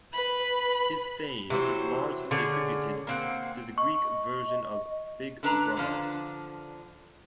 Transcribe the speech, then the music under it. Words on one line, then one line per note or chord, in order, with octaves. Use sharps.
His fame is largely attributed to the Greek version of "Big Brother".
B4 B5
C3 E3 F#3 C5
D3 C#4 G#4
A#3 C4 F#5
D#5 C#6
D3 D4 B4 A#5
D3 F3 D4